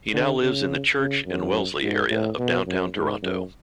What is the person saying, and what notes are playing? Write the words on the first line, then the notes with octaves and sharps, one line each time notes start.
He now lives in the Church and Wellesley area of downtown Toronto.
D3
C#3
C#3
F#2
G#2
A2
B2
F#2
G#2
F#2